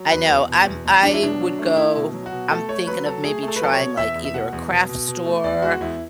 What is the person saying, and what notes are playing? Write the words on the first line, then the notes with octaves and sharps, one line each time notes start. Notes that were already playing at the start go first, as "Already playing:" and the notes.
I know, I'm I would go I'm thinking of maybe trying, like, either a craft store
Already playing: F#3
E2 B4
E2
B2
E2
E2
F#3 D4
E4
B2 D4
F#3
A3
D4
A3 E4
B2
F#3
F#4
B2
A3 A4
A3 C#5
F#3 B4
F#3 A4
A3 G#4
A3
A4
B4
F#3 A4
C#5
B2
E2 E5
E2
E5
B2 F#5
E2
B2
B2
B2
A3
E2 D5
G#3 F#4
E2 E4